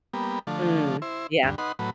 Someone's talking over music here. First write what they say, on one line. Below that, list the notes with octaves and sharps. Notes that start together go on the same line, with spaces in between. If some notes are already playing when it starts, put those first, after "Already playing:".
Mm, yeah.
G3 A#3 B3
D3 F3 A3
E4 C5
D2 G2
D#4 B4 F#5 C6
A2 F#3 B4